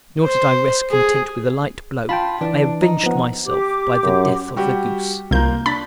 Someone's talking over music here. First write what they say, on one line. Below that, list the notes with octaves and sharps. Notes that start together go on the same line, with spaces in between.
Nor did I rest content with a light blow, I avenged myself by the death of the goose.
C5
G#4
F4 G5 A5 B5
E3 D4
D#4
F3 B3
G4 D6
F#2
G3 F#4 G4
C2 A#3 F4 A#5 G6
D4 B5 A6 B6